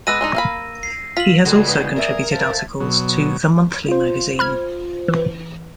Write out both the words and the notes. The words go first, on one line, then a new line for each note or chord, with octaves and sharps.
He has also contributed articles to "The Monthly" magazine.
G#3 B3 B4 E6 A#6 D#7
G#3 D4 D#4
A#3 F5 B5
C7
F4 B6 F#7
C#2 G3 A#3 F#4 G#4 A4
B3 D#4
A#4 D5 E5
C5 E5 F5 A5
B2 F#3
F4 C5
B5 F6 G#6
E3